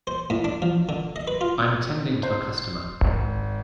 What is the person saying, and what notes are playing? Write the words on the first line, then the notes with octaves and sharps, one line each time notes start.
I am tending to a customer.
C5
A2
D4
F3
D3
D#5
B4
F4
C5
G#1